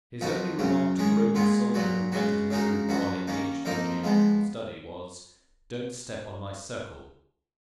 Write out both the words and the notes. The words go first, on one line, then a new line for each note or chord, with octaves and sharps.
His only remark to the Roman soldier who entered his room while engaged in geometrical study, was, "Don't step on my circle."
F2 F3 B3 D#4 F#4
F#2 C#3 F#3 C#4
D#3 G#3 C#4 G#4
A#2 G#3 B3 F4 G#4
A#2 F#3 B3 F#4
C#3 G#3 B3 F#4
C#3 G#3 D#4 F#4 A#4
F#2 F3 B3 F#4
D#3 A#3 C#4
F2 F3 A#3 D#4 A#4
F3 G#3 B3